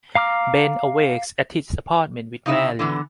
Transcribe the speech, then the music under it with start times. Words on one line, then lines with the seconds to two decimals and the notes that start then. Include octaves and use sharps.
Ben awakes at his apartment with Mary.
0.15 F5 A#5 D6 F6
2.46 C#3 D#4 E4 D#5 E5
2.79 D3 E3 B3